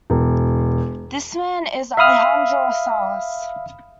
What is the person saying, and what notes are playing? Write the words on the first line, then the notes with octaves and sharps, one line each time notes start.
This man is "Alejandro Salas".
E1
E5 F5 B5 D#6 F6